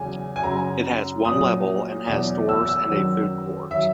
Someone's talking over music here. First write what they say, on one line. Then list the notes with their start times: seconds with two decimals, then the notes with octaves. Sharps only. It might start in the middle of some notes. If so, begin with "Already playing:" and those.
It has one level and has stores and a food court.
Already playing: E2 C#3 F#3 G#5
0.36 G#5
0.43 F#2 C#3 F#3 A#5
1.25 A#2 F#3 D#6
2.07 E2 B2 F#3
2.49 E6
2.69 E6
2.89 F#2 D#3 F#3
3.71 D#3 F#3 E5